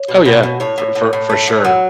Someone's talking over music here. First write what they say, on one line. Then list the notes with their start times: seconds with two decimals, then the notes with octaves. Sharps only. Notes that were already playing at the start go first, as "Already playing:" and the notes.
Oh, yeah, for for for sure,
Already playing: C#5
0.08 B2
0.25 B2
0.43 B2
0.60 A2 C#5
0.78 A2
0.95 A2
1.13 A2
1.30 A3
1.48 A2
1.65 F#3